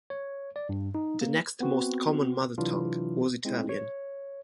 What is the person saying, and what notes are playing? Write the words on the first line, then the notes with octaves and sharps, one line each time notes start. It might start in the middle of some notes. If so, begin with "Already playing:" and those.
The next most common mother tongue was Italian.
C#5
D5
G2
D#4
A#3
B3 C4 F#4
C3 E3 F#3 D4 E4 F4
G#3 C4 E4
C#5